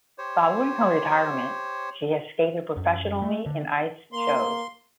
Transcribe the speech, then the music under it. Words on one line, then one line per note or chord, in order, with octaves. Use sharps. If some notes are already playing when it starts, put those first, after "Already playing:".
Following her retirement, she has skated professionally in ice shows.
G4 C5 C#5
F#2
A3
D3
A#3 C6